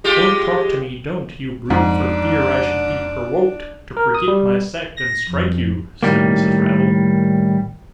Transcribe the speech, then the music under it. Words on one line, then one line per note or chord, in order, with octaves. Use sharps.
'Don't talk to me, don't, you brute, for fear I should be perwoked to forgit my sect and strike you!' said Mrs. Raddle.
G#3 F4 G4
F2 G#2 D4
A#4
D#6
G3
A#6
F2
A2 D#3 G3 A#3